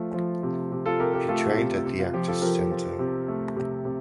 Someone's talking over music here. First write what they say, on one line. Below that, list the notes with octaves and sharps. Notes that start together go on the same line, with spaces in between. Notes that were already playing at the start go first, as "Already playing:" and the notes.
She trained at the Actors Center.
Already playing: F3 A3 F4
F3
C3
C3
F4 A4
C3 G4 A#4
G4 A#4
A3 F4 A4
C3
C3
F4
F3 G4
F4 A4
F3 G4 A#4
F3
C3
A3
C3
C3